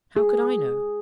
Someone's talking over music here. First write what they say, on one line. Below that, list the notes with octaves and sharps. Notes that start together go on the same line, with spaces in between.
How could I know?
G#4